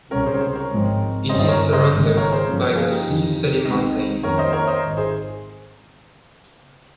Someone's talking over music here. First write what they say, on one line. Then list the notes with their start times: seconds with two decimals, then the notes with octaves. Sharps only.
It is surrounded by the Slieve Felim Mountains.
0.11 C#2 C3 G3 C#4 A#4 C#5
0.26 G#4 C5
0.34 C#5
0.40 G#4 C5
0.55 A#4 C#5
0.70 G#1 G#2 F3 G#3 C4
1.29 G1 G2 G3 C#4 C5 D#5
1.39 C5 D#5
1.48 A#4 C#5
1.73 C5 D#5
1.88 G#1 G2 D#3 G#3
2.17 A#4 C#5
2.32 G#4 C5
2.47 G2 F3 A#3 C#4
2.76 F4 G#4
2.91 D#4 G4
3.06 F2 C3 D#3
3.65 C2 C3 D#3 G#3 C4 D#4
4.23 F2 D#3 G3 A#3 C#4 A#4 C#5
4.38 C5 D#5
4.53 A#4 C#5
4.67 C5 D#5
4.82 G#1 G#2 D#3
4.97 G#4 C5